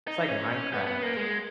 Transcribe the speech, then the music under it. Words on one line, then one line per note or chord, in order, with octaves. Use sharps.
it's like Minecraft.
D#4
C#4
B3
B3
A#3
G#3